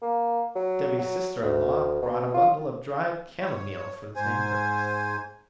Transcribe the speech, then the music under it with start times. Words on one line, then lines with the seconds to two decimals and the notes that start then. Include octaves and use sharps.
Debby's sister-in-law brought a bundle of dried chamomile for the same purpose.
0.02 A#3
0.55 F#3
0.99 F#3
1.42 D2
2.02 B2
2.34 F4
3.40 C#5
4.16 G#2 C5 G#5